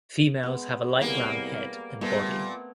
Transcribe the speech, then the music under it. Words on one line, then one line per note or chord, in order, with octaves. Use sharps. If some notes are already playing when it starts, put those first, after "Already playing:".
Females have a light brown head and body.
G#3 B3
C2 G3 A#3 B3 G#4
A#2 G3 A3 B3 C4